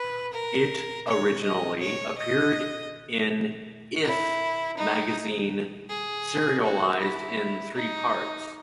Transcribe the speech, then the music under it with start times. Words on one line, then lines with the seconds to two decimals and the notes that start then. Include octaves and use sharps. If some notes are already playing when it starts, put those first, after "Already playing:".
It originally appeared in "If" magazine, serialized in three parts.
Already playing: B4
0.33 A#4
1.07 C#5
1.43 D#5
1.81 C#5
2.18 D#5
4.04 E4
4.78 D#4
5.89 G#4
6.63 F#4
7.00 E4
7.74 D#4